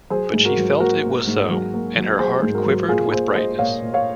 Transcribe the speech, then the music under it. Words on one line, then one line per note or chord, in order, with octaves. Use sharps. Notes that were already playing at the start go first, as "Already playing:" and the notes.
But she felt it was so, and her heart quivered with brightness.
F#3 G#4 C5
G#2
F#4 A#4
F#3
A#3 F#4 A#4
A#3
G#2
F#3
A#3
F#3
F#3 G#4 C5
G#2
F#4 A#4
F#3
A#2 F4 G#4
A#2 G#4 C5
G#3 C5 D#5
A#2 C#5 F5
A#2
C#5 F5